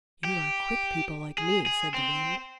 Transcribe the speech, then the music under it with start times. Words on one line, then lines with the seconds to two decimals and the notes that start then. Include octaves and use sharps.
"You are quick people like me," said the Wind.
0.25 G4
1.38 G#4
1.66 G#4
1.94 C4